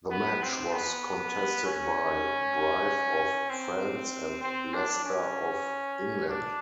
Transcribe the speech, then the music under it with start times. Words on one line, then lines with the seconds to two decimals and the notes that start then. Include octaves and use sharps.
The match was contested by Brive of France and Leicester of England.
0.11 B3
0.43 C4
0.72 B3
1.65 C#4
3.50 C4
4.43 C4
4.74 D4
5.04 C#4
6.28 D4